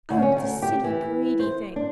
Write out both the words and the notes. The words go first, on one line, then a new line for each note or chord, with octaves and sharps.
Oh, the silly, greedy thing!
D2
C#4
D2
G4
E3
C5
D4